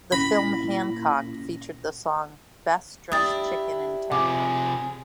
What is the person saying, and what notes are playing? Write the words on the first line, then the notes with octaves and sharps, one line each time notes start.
The film Hancock featured the song "Best Dressed Chicken in Town".
A#2 C#4 E4 B5 A#6
D4 E4 G4 D#6 A6
C3 F3 G#4 D6